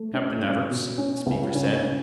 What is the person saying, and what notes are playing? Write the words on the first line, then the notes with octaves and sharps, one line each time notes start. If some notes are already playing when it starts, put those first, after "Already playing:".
"Captain Everts," the speaker said.
Already playing: A3
C#4
C#4
B2
C#4
C#2
C#4
C#4